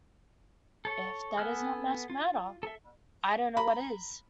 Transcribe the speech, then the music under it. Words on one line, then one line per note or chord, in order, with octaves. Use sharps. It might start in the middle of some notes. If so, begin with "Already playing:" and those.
If that's not mass murder, I don't know what is.
A4 C#5
B3 A4 G#5 F6 F#6
F4
A4 E5
A#5 B5